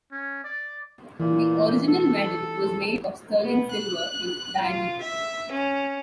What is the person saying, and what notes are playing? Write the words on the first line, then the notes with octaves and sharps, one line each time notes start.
The original medal was made of sterling silver, in diameter.
C#4
D5
A#2 E3
A4
B3
F#6
F4
E5
C#4